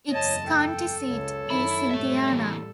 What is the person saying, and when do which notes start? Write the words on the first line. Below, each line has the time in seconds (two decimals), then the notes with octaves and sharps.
Its county seat is Cynthiana.
0.11 F#1 E2 C#5 D#5 A5
0.46 A4 G5
1.08 C#2 C#5
1.50 F#2 D#3 E5 B5
1.91 A1 G3 A3 E5
2.29 E3 A#3